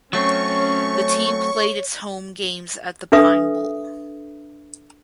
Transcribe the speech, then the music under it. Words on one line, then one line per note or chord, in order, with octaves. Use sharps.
The team played its home games at the Pine Bowl.
F#3 A3 C4 C#4 C#5 C#6
D4 A4 B4 E5 D#6